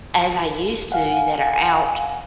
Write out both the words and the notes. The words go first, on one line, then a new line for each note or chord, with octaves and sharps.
as I used to that are out
F5 F#5 G#5